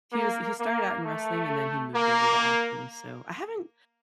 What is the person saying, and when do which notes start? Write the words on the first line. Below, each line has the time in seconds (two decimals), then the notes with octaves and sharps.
he was he started out in wrestling, and then he moved over to acting, so I haven't
0.13 A#3
0.59 A#3
1.04 A3
1.95 A#3